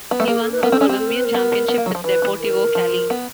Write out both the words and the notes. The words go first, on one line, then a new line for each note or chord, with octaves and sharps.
He won a Colombian championship with Deportivo Cali.
B3
A3
A#3 G#4
A4
B4
B3 A#4
C4
A4
C#4
C4 G4
A4
A#4
B4
A#4
B3
B3
A#3
F#3
F3
E3 B4
E3
A#4
F3
B3